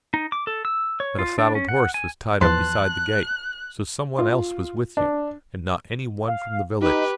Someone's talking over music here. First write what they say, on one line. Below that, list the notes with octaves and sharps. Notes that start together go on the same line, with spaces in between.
But a saddled horse was tied up beside the gate. So some one else was with you, and not any one from the village.
D#4
D6
A4
E6
C#5
F4
D4
C#4
F#5
G#5
E2 F3 B4 A5 C6 F#6
F4
D4
F5
D#4 G4 B4